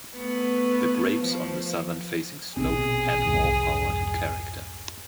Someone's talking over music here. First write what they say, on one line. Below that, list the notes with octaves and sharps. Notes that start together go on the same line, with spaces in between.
The grapes on the southern facing slope add more power and character.
A3 B3
F3
A#1 B2 C4 G#4
C2 F2 G#2